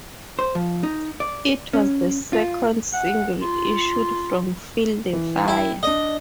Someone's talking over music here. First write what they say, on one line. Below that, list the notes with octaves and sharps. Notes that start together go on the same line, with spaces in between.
It was the second single issued from "Feel the Fire".
C5
F3
D#4
D5
C#4
F4
F#5
F4
E3
E4 G5
D4 D5 D#5